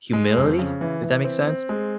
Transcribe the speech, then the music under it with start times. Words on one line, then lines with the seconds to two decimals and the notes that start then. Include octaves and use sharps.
humility, if that makes sense?
0.13 G#3
0.37 F2
0.59 C#3
0.81 E3
1.03 E3
1.24 C4
1.47 C4
1.69 G#3